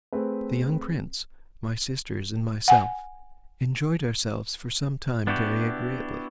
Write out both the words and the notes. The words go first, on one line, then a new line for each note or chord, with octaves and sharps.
The young prince, my sisters and myself, enjoyed ourselves for some time very agreeably.
A3 C4 G#4 B4
F#5 G#5
B3 D4 E4 F#4 G4